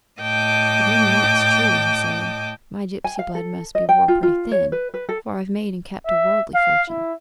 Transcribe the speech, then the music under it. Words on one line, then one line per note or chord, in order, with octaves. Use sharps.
'Admettin' that's true,' he said, 'my gipsy blood must be wore pretty thin, for I've made and kept a worldly fortune.'
A2 D#5 G5 A5 D6
G#5
F5
A4
D#5
G5
F4
F4
C#5
B4
B4
A4
E5
F5
E4